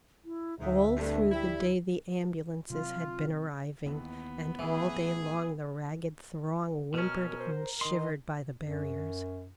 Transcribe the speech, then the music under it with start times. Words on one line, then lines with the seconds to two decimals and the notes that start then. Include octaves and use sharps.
All through the day the ambulances had been arriving, and all day long the ragged throng whimpered and shivered by the barriers.
0.25 E4
0.60 D2 G#2 E5
0.96 G2 C3 A3 D4
1.31 G3 E4
2.70 C3 F#3 C4 F4
3.86 D#2 E3 B3
4.59 A1 E3 G#4
6.94 B2 C#4 A#4 F6
7.40 C5
7.81 D#3 D#5 C6
8.63 F#2